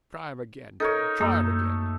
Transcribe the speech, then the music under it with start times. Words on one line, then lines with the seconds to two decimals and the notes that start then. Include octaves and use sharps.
'Try 'em again, Tom; try 'em again.'
0.80 D#4 A4 A#4 C#5
1.21 F#2 A3 A#3